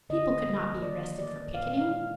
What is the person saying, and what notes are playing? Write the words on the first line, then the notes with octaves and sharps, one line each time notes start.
People could not be arrested for picketing.
D3 D#5
F3 A#3
D#3 D5
A#3 D5
A#2 F5
F5
G#3